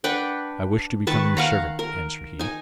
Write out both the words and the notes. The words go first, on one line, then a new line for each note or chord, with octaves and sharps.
'I wish to become your servant,' answered he.
D4 B4 F#5 G5
D#3 B4 A5 C#6
F5 F#5 A#5
A#4
D#4 G#5